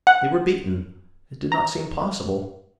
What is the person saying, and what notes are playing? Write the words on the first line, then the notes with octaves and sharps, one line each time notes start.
They were beaten. It did not seem possible.
F#5
A#5